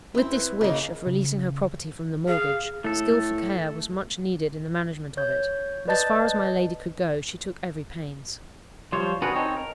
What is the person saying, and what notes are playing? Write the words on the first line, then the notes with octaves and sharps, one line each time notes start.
With this wish of releasing her property from the mortgage, skilful care was much needed in the management of it; and as far as my lady could go, she took every pains.
C4 C#4 E4
B4
C#3 A#3 D#5
C#3
G#4 F5
A2 A3 A4
C#5 G6
B4 D5 D#5 A5 G6 A6
F3 G3 F4 C5 C#5
D4 F#4 G#4 A#4 B4
C4 D#4 A4 C#5
A#4